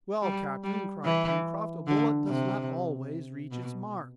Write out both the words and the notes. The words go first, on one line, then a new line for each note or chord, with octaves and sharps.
"Well, captain," cried Pencroft, "a bullet does not always reach its mark."
G3
G3
E3
D3
C3
B2